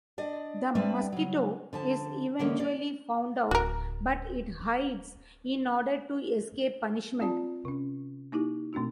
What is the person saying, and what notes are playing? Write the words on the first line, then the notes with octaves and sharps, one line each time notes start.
The mosquito is eventually found out, but it hides in order to escape punishment.
D4 D5 D#5
G3 C4 D4 B4 D5 E5
C#3 F#3
D3 F3 A5
D3 E3 G#3 A#3 C#4
D5
D1 F#4 A#4
C4 F4 D5 A5
C3 C#4
A#3 D#4 E4 G4
B2 A3 C4 D4 F#4